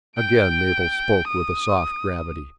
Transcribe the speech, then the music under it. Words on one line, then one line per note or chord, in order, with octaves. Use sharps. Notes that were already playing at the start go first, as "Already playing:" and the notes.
Again Mabel spoke with a soft gravity.
G5 D7
D#6